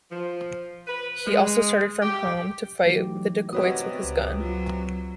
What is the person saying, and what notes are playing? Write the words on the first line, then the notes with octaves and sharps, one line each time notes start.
He also started from home to fight the dacoits with his gun.
F3
B4
G#3
G4
E3 F#3 A3 D#4 G4
C3 B3 F#4 B4 C#5 D#5 D#6
C#2
F#3 F4